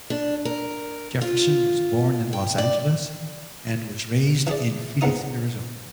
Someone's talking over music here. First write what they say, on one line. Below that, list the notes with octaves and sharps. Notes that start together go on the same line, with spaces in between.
Jefferson was born in Los Angeles and was raised in Phoenix, Arizona.
D4
A#4
F4
G5
D5
E3 G#4 D5
A#1 G#2 B3 D#4 D#6